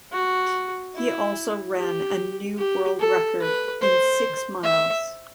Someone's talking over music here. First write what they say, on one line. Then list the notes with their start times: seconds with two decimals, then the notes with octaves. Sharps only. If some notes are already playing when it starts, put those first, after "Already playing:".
He also ran a new world record in six miles.
0.13 F#4
0.95 E4
1.76 G4
2.58 G4
3.00 A4
3.41 B4
3.82 C5
4.64 E5